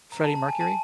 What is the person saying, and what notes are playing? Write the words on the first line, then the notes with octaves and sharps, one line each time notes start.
Freddie Mercury?
A#5
A5
A5
G#5
A5